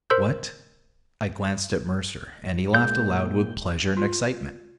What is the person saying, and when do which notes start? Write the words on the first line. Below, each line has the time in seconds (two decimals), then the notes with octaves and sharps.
What--I glanced at Mercer, and he laughed aloud with pleasure and excitement.
0.10 A#4 C5 C6 E6 G6
2.75 A#2 G#3 G6
3.97 F4